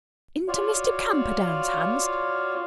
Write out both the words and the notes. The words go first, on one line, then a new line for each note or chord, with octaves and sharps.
"Into Mr. Camperdown's hands!"
F4 F#4 C#5 D5 F5